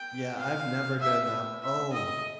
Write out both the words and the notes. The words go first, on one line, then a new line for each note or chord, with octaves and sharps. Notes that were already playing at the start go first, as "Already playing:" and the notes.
Yeah, I've never done that o Oh,
Already playing: G5
F5
E5
E5
D#5